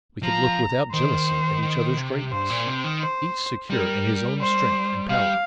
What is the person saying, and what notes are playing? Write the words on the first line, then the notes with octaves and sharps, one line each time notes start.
We could look without jealousy at each other's greatness, each secure in his own strength and power.
F3 A#5
D#3 C5
D#3
C3
G2 C5
A#2
C3
D#3
C5
G3 A#4
C5
G3 F5